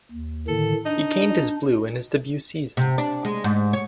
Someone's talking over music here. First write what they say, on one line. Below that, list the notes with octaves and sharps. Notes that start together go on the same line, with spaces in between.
He gained his blue in his debut season.
D#2
A2 D3 D#3 A4
D4 D#4
C3
D4
G#3
G#2
C#5